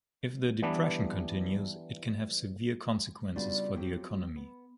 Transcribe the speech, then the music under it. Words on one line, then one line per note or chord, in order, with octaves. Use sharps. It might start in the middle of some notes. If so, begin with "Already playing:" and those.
If the depression continues, it can have severe consequences for the economy.
E3 G3 B3 D4
C#3 G3 B3 D4 F4 F#4
F3 F#3 A#3 C4 G4
B3